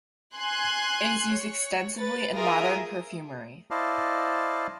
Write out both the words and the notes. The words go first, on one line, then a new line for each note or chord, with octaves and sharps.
It is used extensively in modern perfumery.
G#5 C6 F#6 G#6
C#5
B4 A6
F4 G#4 A#4 E5 A#5 D#6
E4 C5 D5 D#5 F5 A5